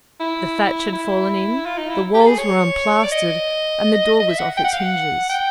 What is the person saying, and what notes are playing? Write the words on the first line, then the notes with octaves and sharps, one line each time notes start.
The thatch had fallen in, the walls were unplastered, and the door was off its hinges.
E4
E4
F4
D#4
E4
G4
A4
G#4
C#5
D5
D#5
D#5
E5
F#5
G5
F#5
F5
F#5
G5